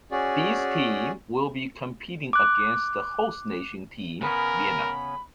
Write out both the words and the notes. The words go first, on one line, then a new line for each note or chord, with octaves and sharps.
These team will be competing against the host nation team Vietnam.
C#4 F#4 G#4 D5
D6 F#6
C#3 B3 C#4 A#4 B5